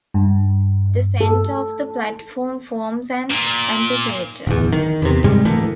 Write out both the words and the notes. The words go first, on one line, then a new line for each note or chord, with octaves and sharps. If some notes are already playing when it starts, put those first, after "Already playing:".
The center of the platform forms an amphitheatre.
G2
A4
A#2
D1 E2
D#3
E2 C3
G#2 C3 G3 G#3
D2 E3 A3 A#3